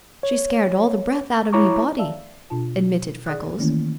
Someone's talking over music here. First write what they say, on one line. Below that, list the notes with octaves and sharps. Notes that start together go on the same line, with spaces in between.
"She scared all the breath out of me body," admitted Freckles.
C#5
E4 C#5 A#5 C#6 D6
D5 E5 F5 A5 E6
B2 D4 F4 A5
G#4 D5 F#5 D#6 F#6
D#3 E3 A3 A#3 C#4 E4